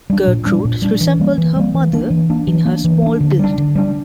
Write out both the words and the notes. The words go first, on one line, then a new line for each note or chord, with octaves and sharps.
Gertrude resembled her mother in her small build.
G3 D4
A#2
G3 D4
A#2
G3 D4
E3
G3 A#3
E3
G3 A#3
E3
A#3 D4
E3
A#3 D4
E3
A#3 D4
E3
A#3 D4
D3
G3 D4
D3
G3 D4